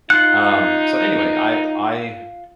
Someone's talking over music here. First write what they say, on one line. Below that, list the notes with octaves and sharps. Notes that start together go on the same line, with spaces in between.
Um, so anyway, I I
D#4 F4 F#5 F#6